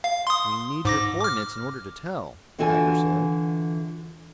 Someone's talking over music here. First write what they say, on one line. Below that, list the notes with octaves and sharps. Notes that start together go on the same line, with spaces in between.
"We need your co-ordinates in order to tell," Tiger said.
F5
C6 D#6
G#2 D6 A#6
D6 F6
D3 E3 F4 F#4 A4 G#5